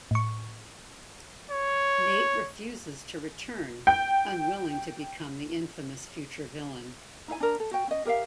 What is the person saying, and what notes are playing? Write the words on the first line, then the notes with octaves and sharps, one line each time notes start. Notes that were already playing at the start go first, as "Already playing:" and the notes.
Nate refuses to return, unwilling to become the infamous future villain.
A2 C#6
C#5
G5
D#4 E4 E5 G#5
D4 A#4
A4
F#4 G5
C#4 D#5
G4 A#4 E5 F5